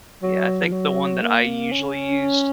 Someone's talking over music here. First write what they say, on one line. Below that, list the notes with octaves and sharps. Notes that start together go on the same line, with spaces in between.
Yeah. I think the one that I usually used,
F#3
F3
F#3
A#3
C#4